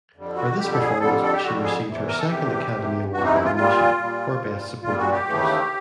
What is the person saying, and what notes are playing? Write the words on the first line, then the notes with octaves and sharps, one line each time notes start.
For this performance, she received her second Academy Award nomination, for Best Supporting Actress.
F2 D3 G3
F#4
F2 D3 G3 G4
A4
G#4
F2 D3 G3 A4
A4
G4
F2 D3 G3 F#4
G#4
E2 C3 E3
A#4
A4
E2 C3 E3 G4
E2 C3 E3
E2 C3 E3 F#4
D#4
E4
F4
A#2 G3 F4
A#2 G3
A#2 G3
A#2 G3 F4
F#4
G4
D#2 C#3 E3 A3